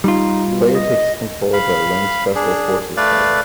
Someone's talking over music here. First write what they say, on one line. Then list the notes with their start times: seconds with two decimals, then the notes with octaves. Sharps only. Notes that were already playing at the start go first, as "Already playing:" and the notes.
The player takes control of a "lone special forces" pilot.
0.04 G3 D#4 F4
0.51 B2
0.75 D#5
1.53 F5 B5
2.35 D4 G#4
2.97 A3 B4 D5 F5